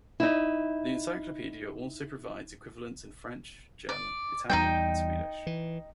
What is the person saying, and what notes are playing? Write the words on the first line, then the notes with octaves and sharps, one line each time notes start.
The encyclopedia also provides equivalents in French, German, Italian, and Swedish.
D#4 E4
D5
E2 G3 D#4 F4 G5
E3